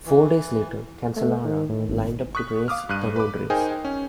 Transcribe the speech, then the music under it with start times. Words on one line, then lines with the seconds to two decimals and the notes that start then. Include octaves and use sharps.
Four days later, Cancellara lined up to race the road race.
0.06 E3
1.16 A3
1.45 D#3
1.69 A2
1.88 G#1
2.35 C#6 D#6 F#6 B6
2.68 F5 D6 D#6 F6
2.89 G2 F6 F#6 D#7
3.16 B4 D6
3.50 D#4 G#4 A#4 C5 G5 G#5
3.85 C#4